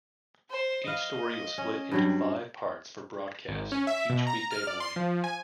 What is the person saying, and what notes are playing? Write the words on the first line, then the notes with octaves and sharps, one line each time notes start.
Each story was split into five parts for broadcast each weekday morning.
C5
B4 D#5 F5
C#4
G2 F#3 G3
G#1
C#4
E5
B2
A#5
F6
D5
C6
F3
G#5